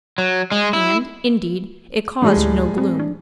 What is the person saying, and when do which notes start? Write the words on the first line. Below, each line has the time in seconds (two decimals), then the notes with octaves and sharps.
And, indeed, it caused no gloom.
0.18 F#3
0.52 G#3
0.73 E4
2.22 A2 E3 G3 G#3
2.37 D2
2.78 C4
3.00 D4